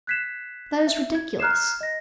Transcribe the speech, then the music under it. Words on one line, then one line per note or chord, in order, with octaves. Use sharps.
That is ridiculous.
F#6 G#6 B6 C7 E7
E5
G#6
A#5 F6 F#6 G#6 C7 E7
D#5 A#6